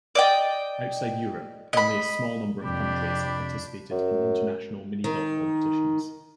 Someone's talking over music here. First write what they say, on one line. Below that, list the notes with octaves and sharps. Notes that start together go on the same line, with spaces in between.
Outside Europe only a small number of countries have participated in international minigolf competitions.
D5 D#5 G5
D#5 B5
F2 C3 D4 G4 B5
F#2
D#3